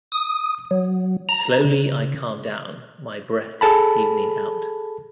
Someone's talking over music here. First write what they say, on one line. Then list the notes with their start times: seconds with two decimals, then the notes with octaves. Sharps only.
Slowly, I calm down, my breathes evening out.
0.12 D#6
0.71 F#3
1.29 A#5
1.65 C#3
3.61 G#4 A4 A5 B5